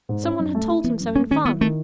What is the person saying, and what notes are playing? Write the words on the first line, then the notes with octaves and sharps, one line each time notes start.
Some one had told him so in fun.
G#2
C#4
F#2
A3
E4
E3 B3
F#2
A3 C#4
D#3 C#4
B3 E4
D#3 A3